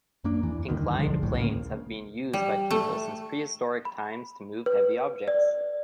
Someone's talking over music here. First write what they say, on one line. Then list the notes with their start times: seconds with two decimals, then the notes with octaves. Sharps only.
Inclined planes have been used by people since prehistoric times to move heavy objects.
0.24 F#2 A#3 D4
0.43 E2 E3
0.68 D2 G2 D3 D#3
0.99 B1 D3 F3 G#3
1.22 A1 D2 A2
1.37 A2 C#3 G#3 A#3
2.33 G3
2.71 A3
3.85 B5
4.66 B4
5.28 D5